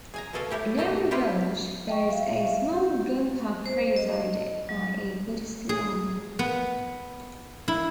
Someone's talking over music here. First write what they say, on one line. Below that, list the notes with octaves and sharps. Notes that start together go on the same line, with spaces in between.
In every village, there is a small Gompa presided by a Buddhist Lama.
G#4 G#5 A#5
B2 F#4 G#4 A4 F5 G#5
A3 E4 G4 C#5
A#2 A3 G4 D#5
C4 E4 F4 G4 B4
D#5 G5 C#6
E5 F5
G4
C5
D#5
F#3
G#4
B3
E4